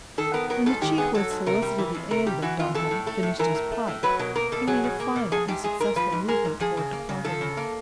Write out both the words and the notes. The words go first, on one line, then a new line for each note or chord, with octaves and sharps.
When the chief, who had solicited the aid of Duncan, finished his pipe, he made a final and successful movement toward departing.
D#3 A4
B3 A#4
F#3 A#4
G#2 A4
D#3 G4
B3 G#4
F#3 A4
G#2
C3 A#4
G3
E3
F2
C3 A#4
G3 G4
E3 F#4
F2 F4
E3 A4
A2
A3 A4
A2
E3 A#4
A2
A3
A2
F#3 B4
B2 A#4
A#3 A#4
B2 A4
F#3 G#4
B2
A#3
B2
F3 G#4
G#2 G4
G#3 G#4
G#2 A#4
F3 B4
G#2
G#3 A#4
G#2
F3 G#4
C#3
A#3
C#3
F3 A4
C#3
A#3